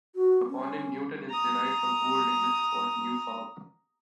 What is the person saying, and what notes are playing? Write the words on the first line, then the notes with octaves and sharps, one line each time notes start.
The toponym "Newton" is derived from the Old English for "new farm".
F#4
C#4
A#5 D#6